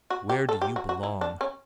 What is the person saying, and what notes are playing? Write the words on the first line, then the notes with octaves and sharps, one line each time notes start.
Where do you belong?
F#4
G4
A4
G4
F#4
F#4
E4
D4
C#4